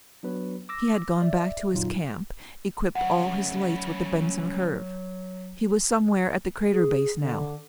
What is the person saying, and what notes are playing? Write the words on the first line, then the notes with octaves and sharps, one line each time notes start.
He had gone back to his camp, equipped all his lights with the Benson curve. He was somewhere at the crater base now.
F#3 B3 D4 F#4 B4 C#5
D6 E6 A#6
D5 E5
G1 F2 A#2 F#3 D#4 F4
D2 C#3 F#3 F#5
G#4
D3